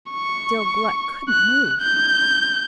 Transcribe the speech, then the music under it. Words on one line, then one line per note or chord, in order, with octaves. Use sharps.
Still Gluck couldn't move.
C#6
F#6
G6